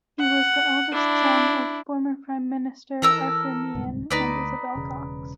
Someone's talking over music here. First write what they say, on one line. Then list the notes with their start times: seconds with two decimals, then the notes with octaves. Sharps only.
He was the eldest son of former Prime Minister Arthur Meighen and Isabel Cox.
0.19 F#5
0.92 D4 E4
3.02 E3 A4 A#4 E6
3.75 D1 C2 G#2
4.10 D2 D#4 B4 D5
4.75 E1 C#3